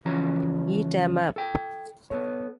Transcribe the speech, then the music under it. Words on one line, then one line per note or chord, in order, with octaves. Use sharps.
Eat 'em up!
C#2 E3 F3 C#4 F#4 A#5
A4 G5
B3 A4 C#5